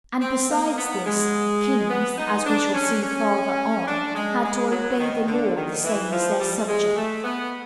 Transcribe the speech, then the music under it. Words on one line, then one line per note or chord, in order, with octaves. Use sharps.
And besides this, kings, as we shall see farther on, had to obey the law the same as their subjects.
C4
A#3
B3
G#3
B3
D#4
D4
C#4
C#4
D4
G#3
G#3
F#3
D#3
D3
D#3
E3
F3
G3
G#3
A3
B3